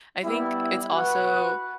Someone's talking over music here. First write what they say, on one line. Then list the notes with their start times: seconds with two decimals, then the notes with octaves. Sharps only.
I think it's also
0.24 G3 B3 E4
0.93 F#4 B4 F#5